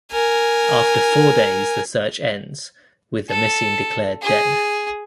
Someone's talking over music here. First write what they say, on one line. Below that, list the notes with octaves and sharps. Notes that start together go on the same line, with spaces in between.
After four days the search ends, with the missing declared dead.
A#4 G#5
A4
G#4